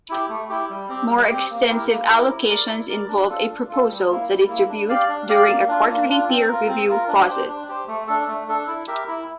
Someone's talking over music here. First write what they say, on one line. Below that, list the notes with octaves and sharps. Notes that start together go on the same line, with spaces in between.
More extensive allocations involve a proposal that is reviewed during a quarterly peer-review process.
E4 G4
A3
E4 G4
G3
C4 G4
G3
C4 G4
A#3
E4 G4 A#4
A#3
E4 G4 A#4
E4
A#4 D5
E4
A#4 D5
D4
F4 A4
D4
F4 A4
G3
A#3 E4
G3
A#3 E4
D4
G4 D5 F5
D4
G4 D5 F5
A#3
D4 F4
A#3
D4 F4
C4
F4 A#4
C4
F4 A#4
D4
G4 C5
D4
G4 C5
A3
D4 A4
A3
D4 A4
E4
G4 A#4 E5
E4